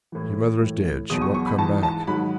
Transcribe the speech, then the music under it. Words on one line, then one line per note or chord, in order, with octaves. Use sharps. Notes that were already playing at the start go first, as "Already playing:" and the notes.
"Your mother is dead; she won't come back."
A2 E3
A2 E3
E2 B2 F#3 D#6
C#6
C#6
B5
G#2 E3 A5
A5
G#2 D#3 F#3 B5